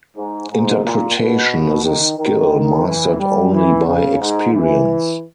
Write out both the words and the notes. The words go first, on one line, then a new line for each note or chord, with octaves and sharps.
Interpretation is a skill mastered only by experience.
G#2
G#2
A#2
B2
D#3
D#3
E3
G3
E3
C#3
G#2
E3